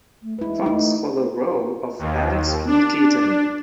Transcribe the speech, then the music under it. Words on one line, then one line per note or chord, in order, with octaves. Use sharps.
Fox for the role of Alex P. Keaton.
A3
G#3 E4 B4
A3 D#4
D#2
D4